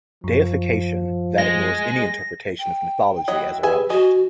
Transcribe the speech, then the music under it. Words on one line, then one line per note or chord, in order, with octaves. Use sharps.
"Deification", that ignores any interpretation of mythology as irrelevant.
F#2 F3
G#3 A#6
G5
F#3 E4 D#5
G4 G#4 B4 D#5 E5 G#5
F#4 D#5 G#5